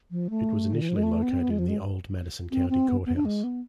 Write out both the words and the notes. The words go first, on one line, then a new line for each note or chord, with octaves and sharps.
It was initially located in the old Madison County Courthouse.
F3
A3
D3
E3
F3
G#3
A3
B3
C4
B3
G#3
F3
G#3
C4
C4
B3
B3
D4
G#3
B3